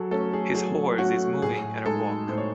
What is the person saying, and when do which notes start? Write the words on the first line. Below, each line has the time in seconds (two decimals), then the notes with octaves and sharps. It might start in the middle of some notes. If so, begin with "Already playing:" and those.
His horse is moving at a walk.
Already playing: F#3 G#4 A4
0.11 A3 C#4 A4
0.33 G#4
0.54 F#3 G#4
0.98 A3 C#4 F#4
1.42 A2 G#4
1.85 G#3 D#4 A4
2.28 A2 C5
2.38 C#5